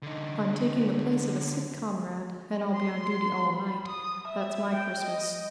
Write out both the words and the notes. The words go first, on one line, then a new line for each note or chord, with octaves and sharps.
"I'm taking the place of a sick comrade, and I'll be on duty all night. That's my Christmas."
D3 D#4
C6
B5
D#6
E5
G5
D#5